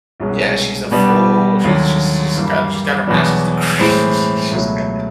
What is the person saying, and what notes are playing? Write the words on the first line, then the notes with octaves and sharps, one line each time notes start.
yeah, she's a full oh, she's she's she's got she's got her master's degree, she's got
C2 B2 G#3 C#4
B2 G3 B3 D4
D#2 D3 F#3
G2 E3 G3 A#3
E2 B2 F#3 B3 D4
A2 E3 G#3 C4
C#2 B2 F#3 A3